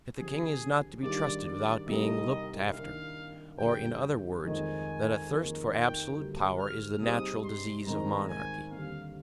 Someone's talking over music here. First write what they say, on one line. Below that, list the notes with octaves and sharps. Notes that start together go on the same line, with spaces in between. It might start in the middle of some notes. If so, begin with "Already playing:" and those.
That the king is not to be trusted without being looked after, or in other words, that a thirst for absolute power is the natural disease of monarchy.
D3 F3 C4 G4 G#4
D#3 G3 D4 F4 G#4 D5
D5
C2 C3 G3 A#3 D#4 D#5
D#3 A#3 D4 F5
F2 D3 G3 G5
F2 D#3 G#3 C4 G#5
F2 D#3 A#3 D#4 G#4
G5
D2 D3 G3 A#3
F6
C3 G3 C4 D#4 G#4 D#6
C6
G#2 D#3 G#3 C4 A#5
G#5
D#2 D3 G3 C4 F5